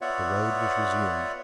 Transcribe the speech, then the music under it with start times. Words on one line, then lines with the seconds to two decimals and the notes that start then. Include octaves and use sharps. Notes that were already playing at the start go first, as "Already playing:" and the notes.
The road was resumed.
0.01 B3 F4 C#5 D5 E5 F#5